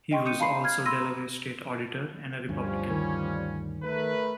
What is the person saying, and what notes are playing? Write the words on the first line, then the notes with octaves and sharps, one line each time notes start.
He was also Delaware state auditor and a Republican.
D#5 G5 C6 C#6
D#6 G6 C#7 D#7
F5 A5 B5 C6 C7
F6 G#6 C7
B5 C6 E6 A#6 D#7
A#5
D2 G2 F3 G3 C#4
D#3
A3 A#4 B4